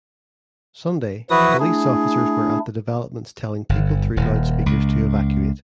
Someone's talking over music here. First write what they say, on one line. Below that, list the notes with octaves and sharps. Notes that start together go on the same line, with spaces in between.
Sunday, police officers were at the developments telling people through loudspeakers to evacuate.
E3 F3 E4 F#4 B4 D#6
A3 D4 E4 G#4
G1
D#1
C#2